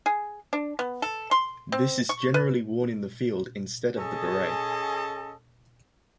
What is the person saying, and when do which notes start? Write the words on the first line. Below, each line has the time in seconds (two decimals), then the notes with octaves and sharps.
This is generally worn in the field instead of the Beret.
0.06 G#4
0.53 D4
0.79 B3
1.02 A4
1.31 C6
1.72 C4
2.09 C#6
2.34 B4
3.98 C#4 G#4 A4 D#5 A5